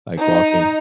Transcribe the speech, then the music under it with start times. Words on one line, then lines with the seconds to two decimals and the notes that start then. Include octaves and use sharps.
like walking.
0.18 D#4